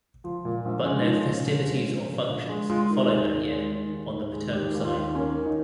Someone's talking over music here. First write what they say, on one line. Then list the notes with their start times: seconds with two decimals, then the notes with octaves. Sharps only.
But no festivities or functions are followed that year on the paternal side.
0.24 F3 F4
0.45 A#2
0.65 A#1
0.86 G#3 C#4
1.01 D#4
1.06 F3
1.16 F4
1.27 A#2 C#4
1.47 A#1
1.67 G#3
1.88 F3
2.09 A#2
2.29 A#1
2.49 G#3
2.70 G#3 F4
2.90 D#3
3.10 D#2
3.31 D#2
3.51 G#3
3.72 D#3
3.93 D#2
4.12 D#2
4.33 G#3
4.53 D#3 G4
4.74 D#2
4.84 F4
4.94 D#2
5.15 A#3 C#4
5.35 D#3
5.46 D#4